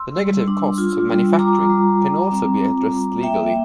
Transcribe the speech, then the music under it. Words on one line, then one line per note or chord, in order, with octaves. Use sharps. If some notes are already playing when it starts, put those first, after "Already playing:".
The negative costs of manufacturing can also be addressed legally.
Already playing: C6 E6
G3
D4
F4
G3
F4 A#5 D6
G3
G3
C4
F4
G3
A#3 E5 G5